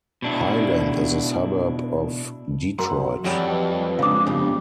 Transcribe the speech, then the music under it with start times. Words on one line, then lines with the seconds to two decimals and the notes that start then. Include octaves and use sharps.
Highland is a suburb of Detroit.
0.22 B2 D4 E4
2.79 F#2 A#4 A#5 C6
3.24 F2 E3 F#3 G3 D5 B5
3.48 B4 D#5 G5
3.99 C#3 G#3 D4 F5 A5 D6 D#6
4.27 G2 C#3 B3 D4 G4